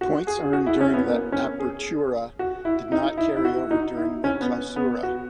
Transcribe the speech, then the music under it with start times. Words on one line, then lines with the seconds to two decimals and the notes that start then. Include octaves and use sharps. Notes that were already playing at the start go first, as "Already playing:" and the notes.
Points earned during the Apertura did not carry over during the Clausura.
0.01 F#4
0.27 G#4
0.44 G#4
0.53 F#4
0.66 E4
0.81 C#4
0.93 B3
1.07 A#3
1.32 C#4
1.60 G#4
2.39 F#4
2.65 E4
2.92 D#4
3.18 E4
3.37 E4
3.45 F#4
3.71 D#4
3.97 E4
4.24 C#4
4.41 B3
4.76 B3
5.03 F#4